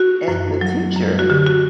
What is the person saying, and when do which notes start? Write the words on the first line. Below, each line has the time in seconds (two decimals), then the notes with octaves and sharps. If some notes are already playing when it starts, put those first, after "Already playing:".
and the teacher
Already playing: F#4
0.28 F#2
0.61 F#3
0.96 F#2
1.19 F#4
1.30 D3 G4
1.47 F#4